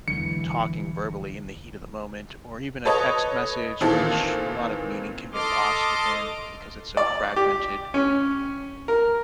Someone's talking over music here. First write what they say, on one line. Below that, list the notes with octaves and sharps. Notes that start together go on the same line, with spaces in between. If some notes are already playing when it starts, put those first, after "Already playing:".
you kn talking verbally in the heat of the moment or even a text message, which a lot of meaning can get lost within because it's so fragmented.
B1 E2 D3 E3 F#3 G#3 C#7
A4 B4 C#5 D#5
A#2 D#3 E3 B3 C4 A4
A4 D#5 C6 D6 F6
D5
G4
C#4
A#4